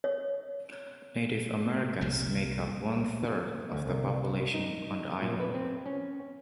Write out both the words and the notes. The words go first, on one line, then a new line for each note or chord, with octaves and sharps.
Native Americans make up one-third of the population on the island.
C#5
C2 A#2 G3
D2
C2
D#4
A#2
B4
C4
C#4